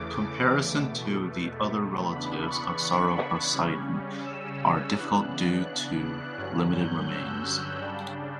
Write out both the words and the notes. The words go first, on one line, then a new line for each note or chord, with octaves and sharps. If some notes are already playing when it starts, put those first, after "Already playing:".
Comparisons to the other relatives of "Sauroposeidon" are difficult due to limited remains.
Already playing: E2 C#3 E3 A3 D6
E2 B2 A3
C#3 E3 B3 D4 B5
C#6
C#3 G3 C#4
E6
C#3 E3 B3 D4 F#6
F#6
F#6
G2 D3 F#3 C#4 F#6
G6
E6
C#3 G3 D4